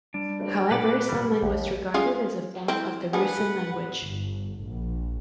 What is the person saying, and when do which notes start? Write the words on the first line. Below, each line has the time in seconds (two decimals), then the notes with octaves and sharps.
However, some linguists regard it as a form of the Rusyn language.
0.14 G3 D4
0.71 A#2 B4 F#5 D6
1.09 G3
1.42 A#1 D#2
1.94 C#4 F4 G#4
2.68 C4 E4
3.13 A#3 D4 G#4 B4 F#5
4.00 G1
4.63 A#1